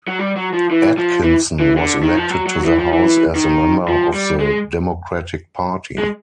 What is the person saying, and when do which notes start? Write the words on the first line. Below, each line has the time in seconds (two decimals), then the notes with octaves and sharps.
Atkinson was elected to the House as a member of the Democratic Party.
0.07 F#3
0.19 G3
0.36 F#3
0.53 F3
0.71 E3
0.98 F3
1.23 E3
1.60 E3
1.77 D3
2.03 D#3
2.17 F3
2.30 F#3
2.46 F#3
2.64 E3
2.79 F3
2.92 E3
3.35 D#3
3.88 F3
4.14 G3
4.40 G#3
5.98 G#3